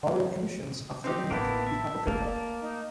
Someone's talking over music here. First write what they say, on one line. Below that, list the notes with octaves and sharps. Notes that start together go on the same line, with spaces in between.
Modern editions often omit the Apocrypha.
C4 D#4 G4
A1 A#3 B3 E4 A5
E5
A3 A#3 A5
D#4